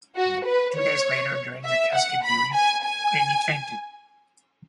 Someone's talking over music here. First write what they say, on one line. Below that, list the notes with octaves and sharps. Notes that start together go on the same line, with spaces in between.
Two days later during the casket viewing, Graney fainted.
F#4
B4
C#5
E5
F#5
B5
G#5
G#5